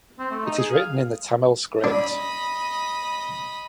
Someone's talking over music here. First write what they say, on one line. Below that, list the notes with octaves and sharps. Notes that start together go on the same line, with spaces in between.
It is written in the Tamil script.
C4
A3
D#4
G#4
F5
D4 D#5 B5